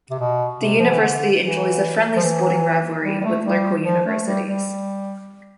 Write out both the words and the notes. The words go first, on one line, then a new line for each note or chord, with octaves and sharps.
The university enjoys a friendly sporting rivalry with local universities.
C3
B2
C3
F3
E3
D3
E3
F3
E3
G3
G3
A3
G3
F3
A3
G3
G3